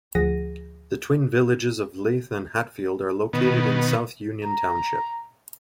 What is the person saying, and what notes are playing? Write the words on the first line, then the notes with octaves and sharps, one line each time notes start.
The twin villages of Leith and Hatfield are located in South Union Township.
D2 F3 G#4 F#5 A#6 D#7
B2 D#3 B3
A#5